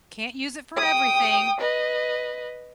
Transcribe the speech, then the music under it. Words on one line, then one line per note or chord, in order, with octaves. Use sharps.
Can't use it for everything
G5 D#6
B4 D#5